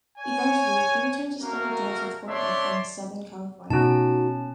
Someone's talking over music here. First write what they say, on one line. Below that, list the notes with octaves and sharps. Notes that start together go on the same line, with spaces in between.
Eventually, he returned to study dance with Horton in southern California.
C#5 G#5
A3 A#3 F#4 A#4
A3 D4 C#5 D5 E5 C6
B2 C#4 D#4 F#4 A5